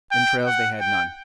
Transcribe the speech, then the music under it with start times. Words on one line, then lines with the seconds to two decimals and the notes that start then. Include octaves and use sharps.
Entrails they had none.
0.12 G5
0.45 F#5
0.80 G5